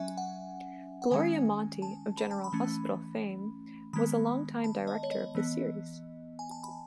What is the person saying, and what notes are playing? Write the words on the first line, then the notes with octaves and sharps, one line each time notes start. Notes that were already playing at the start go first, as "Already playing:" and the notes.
Gloria Monty, of "General Hospital" fame, was a longtime director of the series.
Already playing: F#3 C#4 E5 G#5
F#5
F#5
D#3 G#3 C#4 G#5
A5
B5
A5
B5
E3 A3 C#4
D#3 G#3 B3 B5
A5
D#5
C#5
D#5
E3 B3
G#5
A5
B5